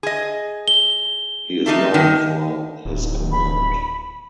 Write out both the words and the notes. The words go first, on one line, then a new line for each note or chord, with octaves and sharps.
He is known for his command.
G#4 D#5
G7
A3 A#3 D#4
G2 D#3 D#4
D1
B5